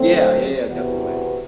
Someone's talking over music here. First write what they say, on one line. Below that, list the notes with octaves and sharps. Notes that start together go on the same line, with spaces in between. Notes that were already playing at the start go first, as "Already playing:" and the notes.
Yeah, yeah, yeah, definitely.
Already playing: D3 F#3 A3 C4
E2 C3 E3 B3 F#4